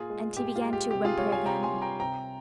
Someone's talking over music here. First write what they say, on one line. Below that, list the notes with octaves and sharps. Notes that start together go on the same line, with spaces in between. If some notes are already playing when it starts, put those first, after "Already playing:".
And he began to whimper again.
Already playing: A#2 F4 G#4
G#3
A#2 G4
F4
G#3
G4
C3 G4
F4 G#4
G3 C#5 F5
F5 G#5
C3 G5 A#5
G#5 C6
G3
G5 A#5
C3 G5 A#5